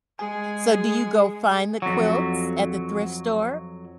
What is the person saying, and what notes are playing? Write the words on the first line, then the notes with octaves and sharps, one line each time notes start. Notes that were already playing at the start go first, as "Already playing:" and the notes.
So do you go find the quilts at the thrift store?
G#3 G#4 G#5
F2 F#3